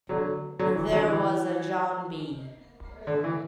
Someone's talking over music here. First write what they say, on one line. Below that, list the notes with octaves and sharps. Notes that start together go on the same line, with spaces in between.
There was a John B.
D3 F#3
D3 F#3
E3
D3 F#3
E3
D3
E3